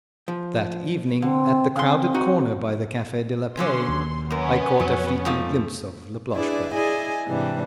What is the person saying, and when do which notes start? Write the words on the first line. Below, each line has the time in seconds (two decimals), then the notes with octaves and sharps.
That evening, at the crowded corner by the Cafe de la Paix, I caught a fleeting glimpse of Laploshka.
0.28 F3
1.22 D3 C4
1.76 C#3 C4 C6
2.14 D#4 F#4
3.57 D3 F#3 C#4 C6
3.89 D#2
4.31 F#2 B3 C#4 A#4
4.80 F2 F#3
5.25 G#2 F3 A3
6.32 D4 E4 G#4 B4 D5
6.73 E4 G#4 D5 D#5 G#5
7.26 G#2 C3 E3 G3 D4